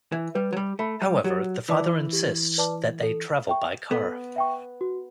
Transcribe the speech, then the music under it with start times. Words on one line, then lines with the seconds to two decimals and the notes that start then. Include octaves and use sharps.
However, the father insists that they travel by car.
0.12 E3
0.35 G3 B4
0.53 F#3
0.57 G3
0.79 A3 E5 B5
1.02 G3
1.24 F#3 G4
1.69 E3 B4 D5 A5 D6
2.13 G4
2.58 B4 D5 A5 D6
3.03 A4
3.47 E5 G5 C#6
3.91 B3 A4
4.36 E5 G5 C#6
4.81 F#4